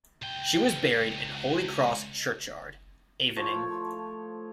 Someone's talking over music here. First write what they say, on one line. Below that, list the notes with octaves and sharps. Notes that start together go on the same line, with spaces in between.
She was buried in Holy Cross churchyard, Avening.
C#2 G5
F3 A3 C#5